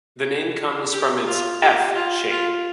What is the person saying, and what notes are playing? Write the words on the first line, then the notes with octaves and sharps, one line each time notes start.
The name comes from its "F" shape.
G4
F4
G4
F4
F4